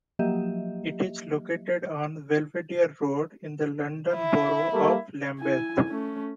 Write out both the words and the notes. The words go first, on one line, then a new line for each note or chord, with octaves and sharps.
It is located on Belvedere Road in the London Borough of Lambeth.
F3 F#3 A#3 G4 D#5 E5
E4
G3 A3 A#3
E4 G#5
A3 C#4